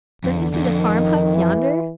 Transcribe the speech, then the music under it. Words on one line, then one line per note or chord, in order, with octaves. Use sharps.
Don't you see the farm-house yonder?
F2 D3
E2
E2
F2
D#3
E3